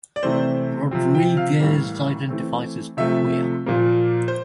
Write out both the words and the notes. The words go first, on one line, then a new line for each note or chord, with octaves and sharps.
Rodriguez identifies as queer.
D5
C3 E3 A3 C4 C5
C3 F3 C4
G5
F5
A2 E3 G3 A#3
E3 A3 C4
C3 F3 A3 C4 E5
A#2 F3 A#3
C5